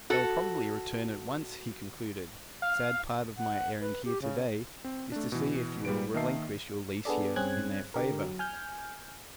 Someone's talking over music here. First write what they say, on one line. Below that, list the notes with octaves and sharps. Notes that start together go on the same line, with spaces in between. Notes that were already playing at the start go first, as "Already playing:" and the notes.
"They will probably return at once," he concluded "sad part of my errand here to-day is to see if you will relinquish your lease here in their favor."
F#4 A4
F5
F#5
B4
G4
C#3
C4
A3 D4
B2 E3
A#2 G3 B4 D7
D#3 A#3 D#5 E5 A5 C7
B3 D4 G#4 A4 D5
G2 C4 C#4 G#4 F#6 G#6
D3 G4 A#4
F#3
G#5 F6 G6